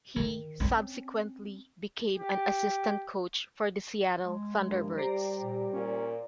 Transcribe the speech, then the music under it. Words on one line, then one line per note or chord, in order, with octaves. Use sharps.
He subsequently became an assistant coach for the Seattle Thunderbirds.
D#3
C4 C#4
G4
G#3
G2 F3 A#3
G3 G4 C5 D5 A#5
A#2
A#2 C#4